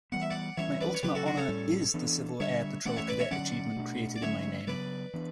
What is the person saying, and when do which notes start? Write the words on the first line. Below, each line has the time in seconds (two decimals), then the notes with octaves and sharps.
My ultimate honor 'is' the Civil Air Patrol cadet achievement created in my name.
0.12 E3 G3 B3 F#5
0.22 E5
0.30 D5 F#5
0.57 E3 G3 C#4 C#5 E5
0.81 B4 D5
0.94 C#5
1.03 C#3 F#3 C#4 G4 B4
1.15 F#4 A4
1.26 D4 F#4
1.37 A4 C#5
1.48 A2 G3 C#4
1.94 E3 B3 D4
2.40 D3 G3 D4 C#5 E5
2.85 E3 A3 C#4 D5 F#5
2.97 C#5 E5
3.08 B4 D5
3.20 C#5 E5
3.31 D3 F#3 C#4 D5 F#5
3.76 B2 A3 D4
4.16 D5
4.22 D3 F#3 A3 C#4 C#5 E5
4.67 C#3 F#3 B3 B4 D5
5.14 E3 B3 D4